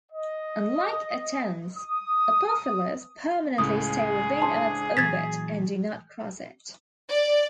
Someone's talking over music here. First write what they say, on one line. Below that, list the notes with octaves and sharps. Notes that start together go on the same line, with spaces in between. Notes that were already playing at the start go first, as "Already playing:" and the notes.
Unlike Atens, Apoheles permanently stay within Earth's orbit and do not cross it.
D#5
D#6
C#2 A2 C#3 G#4 D#6
D4 E4 C5 A5 C6
A#2 E3 F#3 G#6 A6 B6
D5